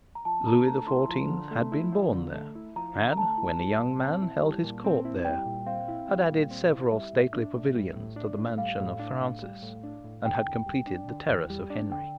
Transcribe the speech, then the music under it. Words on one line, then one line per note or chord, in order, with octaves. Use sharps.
Lewis the Fourteenth had been born there, had, when a young man, held his court there, had added several stately pavilions to the mansion of Francis, and had completed the terrace of Henry.
A#5
F3 A5
D3 A#5
A3 A#5
E4 C6
F3 A#5
D3
A3
E4
F3
D3
A3
E4
F3 A#5
D3
A#5
A3 A5
E4
G3
A#2
C4
E4
G3
A#2
C4
E4
G3 G5
A#2
C4 F5
E4
G3
A#2
C4
E4
G3 E5
A2
D4
A2
G3
A2
D4
A2
G3 F5
A2
D4
A2
G3
A2
D4
A2
D3 G5
E2
G3
D4
D3
E2
G3
D4
D3 G5